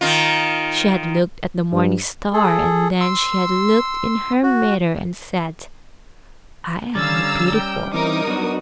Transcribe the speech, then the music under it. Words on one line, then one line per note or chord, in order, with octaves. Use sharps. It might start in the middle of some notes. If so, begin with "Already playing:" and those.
She had looked at the morning star, and then she had looked in her mirror and said, "I am more beautiful."
D#3 D#4 F4
G2
G#4 A4
C6 E6
F#4
D3 G3 C#4 F5 A#5 E6 A6
G5
E3 C4 D#4 A#4 D6 D#6
F#3 B3 D4 F#4